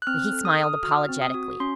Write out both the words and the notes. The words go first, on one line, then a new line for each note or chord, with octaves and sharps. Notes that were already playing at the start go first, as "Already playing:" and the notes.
But he smiled apologetically.
F#6
C4 F6
A4
D#6
A4 F6
D#6
F#4 F6
C4
D#6
F#4
C#4 C6